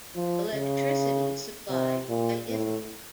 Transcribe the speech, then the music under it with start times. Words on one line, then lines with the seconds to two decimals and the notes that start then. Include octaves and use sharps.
Electricity supplied by Italy.
0.15 F3
0.54 C#3
1.70 C3
2.09 A#2
2.49 A2